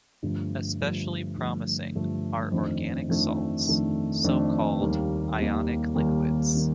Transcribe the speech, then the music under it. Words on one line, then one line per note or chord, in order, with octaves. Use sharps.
Especially promising are organic salts, so called ionic liquids.
G2 D3 F3 A3
G2 D3 F3 A3
G2 D3 F3 A3
G2 D3 F3 A3
F2 D#3 A3 D4
F2 D#3 A3 D4
F2 D#3 A3 D4
F2 D#3 A3 D4
D#2 D#3 G3 A#3
D#2 D#3 G3 A#3
D#2 D#3 G3 A#3
D#3 G3 A#3